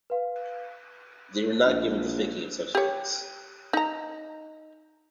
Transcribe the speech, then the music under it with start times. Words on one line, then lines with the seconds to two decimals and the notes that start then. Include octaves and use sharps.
They were not given to thinking of such things.
0.10 B4 F5
1.66 A#1
2.75 G4 C#5
3.73 D#4 A#5